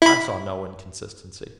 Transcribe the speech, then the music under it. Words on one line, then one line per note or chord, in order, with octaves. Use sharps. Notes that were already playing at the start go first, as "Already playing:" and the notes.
I saw no inconsistency.
E4 B5